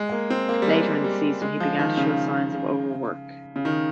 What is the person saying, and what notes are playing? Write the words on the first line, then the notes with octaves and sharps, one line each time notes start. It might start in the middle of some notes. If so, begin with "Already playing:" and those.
Later in the season, he began to show signs of overwork.
Already playing: G#3
A#3
C4
A#3
G3
G#3
G3
G#3
F3
D#3
C#3
C#3
D#3